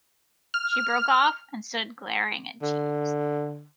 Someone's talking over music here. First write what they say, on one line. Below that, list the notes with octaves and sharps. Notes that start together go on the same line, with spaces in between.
She broke off, and stood glaring at Jeeves.
F6
D3